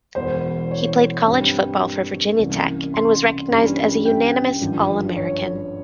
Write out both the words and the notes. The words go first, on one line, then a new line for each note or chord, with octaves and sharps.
He played college football for Virginia Tech, and was recognized as a unanimous All-American.
E1 E2 E3 C5
C#5
G2 G3 C4
C2 C3 E3 A#3 C#4
C6
G2 E3 G3 A#3 C#4
G5
G#1 G2 F3
C#5